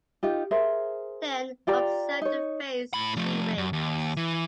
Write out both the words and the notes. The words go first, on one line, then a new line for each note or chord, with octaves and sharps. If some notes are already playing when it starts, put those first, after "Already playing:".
Then observe the face she makes.
D#4 F4 G4
G#4 A#4 C5 E5
F4 G4 D5 A#5
D#4 C#5
A2 B5
F3 A3
F#2
D#2
E3